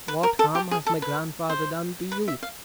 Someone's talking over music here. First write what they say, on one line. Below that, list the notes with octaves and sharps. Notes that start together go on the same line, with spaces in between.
What harm has my grandfather done to you?
B4
A#4
A4
G4
G#4
A4
B4
C5
B4
E5
F5